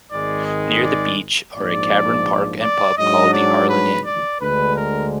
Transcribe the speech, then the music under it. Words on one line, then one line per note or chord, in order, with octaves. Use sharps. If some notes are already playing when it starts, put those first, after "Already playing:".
Near the beach are a caravan park and a pub called The Harlyn Inn.
G#1 G#2 D#3 G#3 D5
D#5
D5
A#1 G#2 F3 D5
D5
G#2 F#3 D4 D#5
D5
B4
D5
D2 D3 G#3 B4
A#4